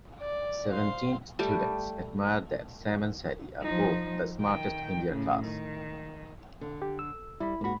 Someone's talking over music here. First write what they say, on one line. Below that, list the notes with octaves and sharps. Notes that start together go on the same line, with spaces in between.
Seventeen students admired that Sam and Sally are both the smartest in their class.
D5
C5 F5
G3 A3 G4
F3 D#4
D#3 G5
A2 C#3
D#3
D3
G4
E6
G3 E4 B5
G#2 A#3 F#4 B5